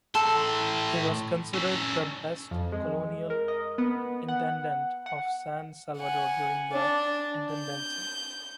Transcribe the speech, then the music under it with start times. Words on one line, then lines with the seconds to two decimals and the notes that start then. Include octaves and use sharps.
He was considered the "best colonial intendant" of San Salvador during the intendancy.
0.15 A2 A4 C6
1.54 C#4 A4
2.51 F2
2.72 G#3
3.30 A#4
3.48 D#5
3.78 B3
4.28 F#5
5.06 F#5
5.99 F#5 G#5
6.73 D4
7.54 G6